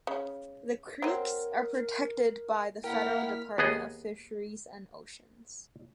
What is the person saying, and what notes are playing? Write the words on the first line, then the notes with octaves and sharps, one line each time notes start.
The creeks are protected by the federal Department of Fisheries and Oceans.
C#3
F#3 C4 A#4
A#3 E4 A#4 F#5 G5 F6 B6
D#2 B3 G#4 D#5